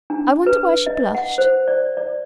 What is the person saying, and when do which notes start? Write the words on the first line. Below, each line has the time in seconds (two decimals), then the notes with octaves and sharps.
I wonder why she blushed.
0.10 D4
0.46 B4
0.86 D#5
1.15 F#5
1.38 C5
1.68 D5
1.97 D5